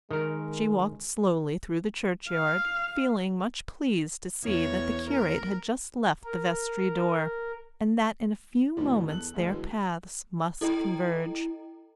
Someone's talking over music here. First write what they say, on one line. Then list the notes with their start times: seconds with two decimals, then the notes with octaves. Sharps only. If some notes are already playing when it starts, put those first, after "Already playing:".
She walked slowly through the churchyard, feeling much pleased to see that the curate had just left the vestry door, and that in a few moments their paths must converge.
0.11 D#3 G#3 A#4
2.29 F5
4.43 E2 C#5
5.10 A#4
6.25 A#4
8.77 F2 A2 D3 E3 F#3 D4
9.07 E2 A4 F#6 F#7
9.34 A1 D2 C#3 G#4
9.48 D3 E3 F#3 G#3
10.61 E4 A4 D#5 G5 A#5